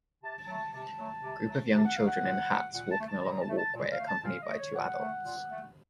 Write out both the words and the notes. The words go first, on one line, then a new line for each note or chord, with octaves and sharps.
A group of young children in hats walking along a walkway accompanied by two adults.
C3 A5
F#3 A3 A5
C3 A5
F#3 A3
C3
F#3 A3
C3 A5
F#5
F#3 A3 F5
F#5
A#2
A3
A#2 F#5
A5
A3
A5
A#2 A#5
A5
A3
A5
A#2
F5
A3
A5
A#2 F5
D#5
A3
C#5
A#2 F#5
A3
A#2
A3